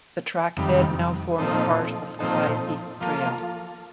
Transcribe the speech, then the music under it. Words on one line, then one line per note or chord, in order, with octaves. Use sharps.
The trackbed now forms part of the High Peak Trail.
F2 C3 D#3 G3
A#2 F3 C4 D#4 A4
A#2 F3 C4 D#4 A4
F3 A#3 F4 A4